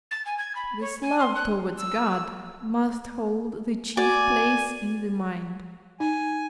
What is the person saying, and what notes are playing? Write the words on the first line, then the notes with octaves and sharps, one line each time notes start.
This love towards God must hold the chief place in the mind.
A6
G#5
G#6
B5
C#5
G#5
C6
F#6
E6
F#4 D5 G#5
D#4 G#5